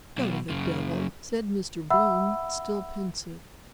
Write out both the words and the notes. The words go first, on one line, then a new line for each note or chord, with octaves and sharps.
"Go to the devil," said Mr. Bloom, still pensive.
B1 B2
F#2 C#3
E5 F#5 B5 E6